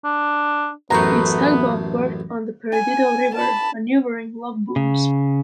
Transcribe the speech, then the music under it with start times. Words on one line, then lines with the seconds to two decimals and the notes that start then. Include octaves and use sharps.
Its tugboat worked on the Perdido River, maneuvering logbooms.
0.04 D4
0.91 A1 F#2 A3 B3 A#5 C6
2.73 G#5
3.36 A5 B5
4.76 C#3